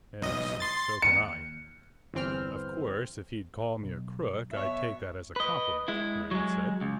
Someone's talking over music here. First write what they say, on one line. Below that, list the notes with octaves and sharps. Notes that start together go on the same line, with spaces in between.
"Yes, so can I. Of course, if he'd call me a crook, I'd take that as a compliment," Rand said.
B1 D#5
C6 A6
D#2 C#7
G1 E2 E3 C4 G5 F6
B1
B2 C#5 E5
B4 D#5
G#3 E4
F#3 G#3
C#2